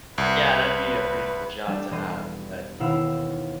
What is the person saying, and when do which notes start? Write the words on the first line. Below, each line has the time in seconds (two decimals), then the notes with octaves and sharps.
Yeah, that'd be a pretty cool job to have, but
0.18 C2 B4
1.67 G3 A3 D4 G4
1.91 E1 D#5 C6 D#7
2.80 D#2 B2 E4 F5 E6